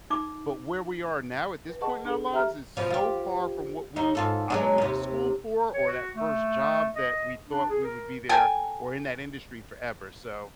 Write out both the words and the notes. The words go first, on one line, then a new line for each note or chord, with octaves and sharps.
but where we are now, at this point in our lives, is so far from what we either went to school for, or that first job that we thought we would be there, or in that industry forever, so
D#4 D6
B4
G#4 B4 D#5 F#5 A5 C#6
D4 G#4 A4
G4 E5 A#5 F6
B2 F3
F4 G4
D#2 D#4
G#2 F4 A4
F#3 G#3 D4
D#2 C3
C#5
F#4
A3
D#5
D4
G#4
A#4
A4 G5 G#5